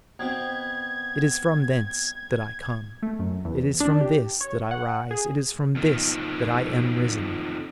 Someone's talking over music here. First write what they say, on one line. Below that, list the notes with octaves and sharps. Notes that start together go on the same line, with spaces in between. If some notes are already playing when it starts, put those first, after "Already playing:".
It is from thence that I come; it is from this that I rise; it is from this that I am risen.
B2 C4 G#6
A3
F#2
E2
D4
G4
C#5
F#5
G#4
F2 D#3